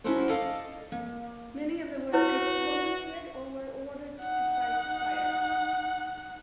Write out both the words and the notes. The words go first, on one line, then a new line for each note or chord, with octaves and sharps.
Many of the workers volunteered or were ordered to fight the fire.
C#4 D#4 E4 F#4 A4 C5
A4 D5 D#5 F5
A#3
E4 F#4 B4 C#5
D#4 F#5